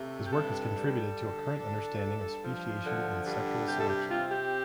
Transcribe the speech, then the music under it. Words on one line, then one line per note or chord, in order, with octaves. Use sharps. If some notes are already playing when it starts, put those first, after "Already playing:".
His work has contributed to our current understanding of Speciation and Sexual selection.
Already playing: C3 A3
G4
G2 A4
G3
D3
D4
G2
F3
D3
G2
C3 G4
A4
G4
C4 F4
G4